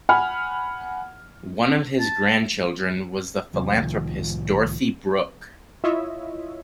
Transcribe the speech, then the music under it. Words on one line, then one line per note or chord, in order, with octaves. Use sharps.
One of his grandchildren was the philanthropist Dorothy Brooke.
F#5 G#5 B5 F6
A5
E2 C3 F#3
C2 A2 D#3 F3
E4 F4 C#5 D#5 E5